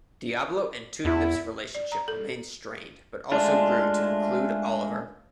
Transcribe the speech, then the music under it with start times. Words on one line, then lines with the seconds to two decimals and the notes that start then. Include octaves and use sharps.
Diablo and Toothgnip's relationship remained strained but also grew to include Oliver.
1.05 E2 E4
1.75 D5
1.92 A#5
2.08 A4
3.32 G#3 A3 D4 F4